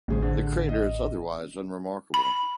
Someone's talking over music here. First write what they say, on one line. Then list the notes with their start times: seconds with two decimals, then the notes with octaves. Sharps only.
The crater is otherwise unremarkable.
0.08 A1 D2 G#4 C5
0.22 D3
0.69 D#5
2.14 B5